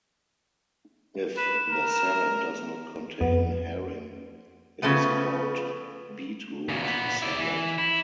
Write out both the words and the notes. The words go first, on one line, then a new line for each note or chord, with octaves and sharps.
If the salad does not contain herring it is called beetroot salad.
B4 E7
A#4
F2 B3
C#3 F3 A3 B3
E2 C#3
A#2 B3
E4 D5
E3
E4